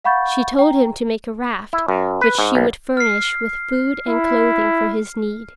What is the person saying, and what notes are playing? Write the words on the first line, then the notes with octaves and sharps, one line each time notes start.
She told him to make a raft which she would furnish with food and clothing for his need.
F5 F#5 B5 C#6 G6 A6
G5 A#5
E4
F#2
B4
G#2
B1
F6 C7
E4